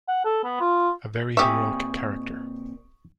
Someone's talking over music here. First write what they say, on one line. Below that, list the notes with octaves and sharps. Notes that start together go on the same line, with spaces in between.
A very heroic character.
F#5
A4
B3
F4
A#2 C4 G4 E5 G#5 C#6 D#6